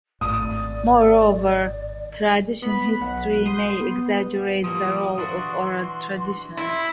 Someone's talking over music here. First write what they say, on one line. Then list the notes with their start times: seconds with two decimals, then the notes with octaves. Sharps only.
Moreover, tradition history may exaggerate the role of oral tradition.
0.21 G#1 A2 D5 D#6
2.62 B3 B5 B6
3.00 B1 F#5
3.45 C6 D#6 G6
3.81 B3
4.64 F3 G3 A#3 D#6
5.18 E3 D4 F#4 C6
6.58 E4 C6